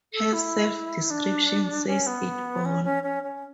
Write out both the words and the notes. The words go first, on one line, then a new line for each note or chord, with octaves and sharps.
Her self-description says it all.
A4
E4
D4
C#4
B3
C#4
C#4
C#4
C#4